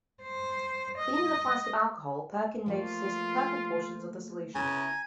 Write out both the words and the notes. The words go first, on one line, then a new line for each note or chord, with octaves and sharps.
Cleaning the flask with alcohol, Perkin noticed purple portions of the solution.
C5
D#5
F3 A3 A#3 F4
C#3 B3 E4 G#5 A#5